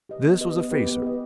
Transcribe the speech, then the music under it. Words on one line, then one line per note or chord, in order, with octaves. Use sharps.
This was a facer.
G4 B4 D#5
B3
G4 B4 D#5
B3
G4 B4 D#5
B3
G4 B4 D#5